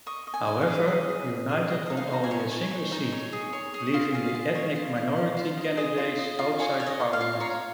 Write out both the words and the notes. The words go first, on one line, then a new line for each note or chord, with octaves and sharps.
However, United won only a single seat, leaving the Ethnic Minority candidates outside Parliament.
D#5 C#6
D#5
G#5
D#5
F5
G#4
G#4 D#5
G#4
G#4
G#4
G#4 D#5
D#4 D#5
F5
D#4 A#5
G#5
C#5
C#5
D#4
D#4
C#5
G#4
C#5
G#4
F4
G#4 F5
F4
C#5
F4
F4
F4
F4
D#5
G#4 D#5
F4
D#5
F4
C#5 G#5
C#5
D#5
F4
F5
F4
C#5 A#5